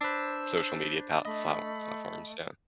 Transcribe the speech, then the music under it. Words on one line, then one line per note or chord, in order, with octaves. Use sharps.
social media palt flaut platforms, yeah.
D4 B4 C5 E6
A3 D#5 B5